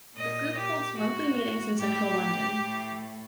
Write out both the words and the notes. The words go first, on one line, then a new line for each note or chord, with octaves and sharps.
The group holds monthly meetings in central London.
A#2 D#5
G4
A2 F#4
A2 G4
A2